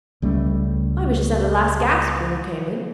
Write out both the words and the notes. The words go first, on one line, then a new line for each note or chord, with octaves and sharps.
I was just at the last gasp when you came in.
C#2 G3 A3 C#4